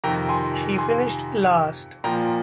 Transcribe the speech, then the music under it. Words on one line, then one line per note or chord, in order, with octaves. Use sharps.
She finished last.
F2 C3 D#3 G5 A#5
G#5 C6
G#5 C6
A#2 F3 G5 A#5